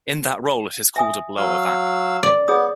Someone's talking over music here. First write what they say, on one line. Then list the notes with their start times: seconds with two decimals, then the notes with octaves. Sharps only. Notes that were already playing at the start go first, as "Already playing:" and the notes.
In that role it is called a blower vac.
0.96 E5 G#5 D#6
1.37 F#3 F5 E6
2.23 D5
2.48 B3 G#4 C#5 D#6